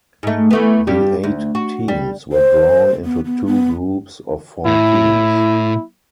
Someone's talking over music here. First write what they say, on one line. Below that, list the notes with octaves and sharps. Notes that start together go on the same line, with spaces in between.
The eight teams were drawn into two groups of four teams.
G#2 A3
E3 A3 B3
G2 G3 G4
D2
F#4
G3
C5
B3
B3
B3
A2 E4